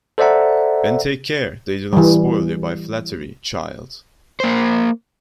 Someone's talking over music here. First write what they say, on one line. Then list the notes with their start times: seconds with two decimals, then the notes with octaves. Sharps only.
And take care they do not spoil you by flattery, child!
0.18 A4 C5 D5 E5 F#5 A#5
1.93 E3 G3
4.40 A#3 C5